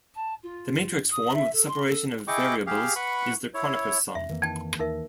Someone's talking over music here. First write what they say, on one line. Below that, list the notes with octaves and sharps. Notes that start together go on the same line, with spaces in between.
The matrix form of the separation of variables is the Kronecker sum.
A5
F4
D#6
E5
A4
C6
A4
E4 G#4 D#5 G5 C#6 D6
G4 G#4 F5
B4 F#5 B5 C#6
E4 C#5
F2 E5
F2 D#3 E3 A#3
D#4 G5 A5 G#6
D#2 D#4 A#4 E5